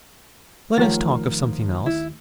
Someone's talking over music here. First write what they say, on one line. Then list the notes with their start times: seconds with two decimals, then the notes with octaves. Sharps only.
Let us talk of something else.'
0.78 D#2 F3 A3 A#4 C#5
1.86 E4